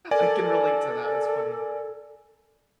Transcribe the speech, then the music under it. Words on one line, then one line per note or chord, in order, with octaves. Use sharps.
I can relate to that, it's funny.
A4 A#4 D5 G#5